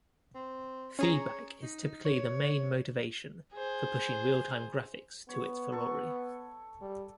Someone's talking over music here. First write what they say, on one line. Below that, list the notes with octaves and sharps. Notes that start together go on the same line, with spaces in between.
Feedback is typically the main motivation for pushing real-time graphics to its furore.
C4
C#4 G#4 C#5 A#5
D#4
C#5
G#4 C5
B3 C#5
A4 C#6
G3